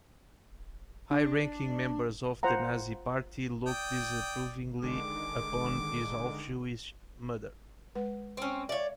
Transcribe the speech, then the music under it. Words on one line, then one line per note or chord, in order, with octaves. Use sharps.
High-ranking members of the Nazi Party looked disapprovingly upon his half-Jewish mother.
D4
F4 C5 F5 F#5 A#5
D5 G5 D#6
D3 D#3 G#3 D6
G#3 B4 F#5
C4 C#4
C#5 D5 E5 F5